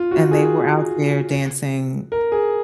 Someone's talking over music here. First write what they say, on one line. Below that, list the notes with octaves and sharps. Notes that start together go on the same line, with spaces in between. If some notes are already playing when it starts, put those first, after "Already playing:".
and they were out there dancing
Already playing: F4
F#4
G#4
A#4
G#4